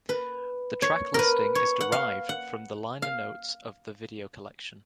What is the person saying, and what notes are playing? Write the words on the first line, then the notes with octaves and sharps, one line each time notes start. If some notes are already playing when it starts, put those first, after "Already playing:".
The track listing is derived from the liner notes of "The Video Collection".
B4
C#5
A#4 B4
C#5
F#5
F5
F#5
F5